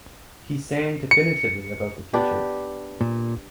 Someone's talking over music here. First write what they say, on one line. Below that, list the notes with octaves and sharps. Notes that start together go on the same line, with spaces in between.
He sang definitively about the future.
C#7
B3 D4 G4
A#2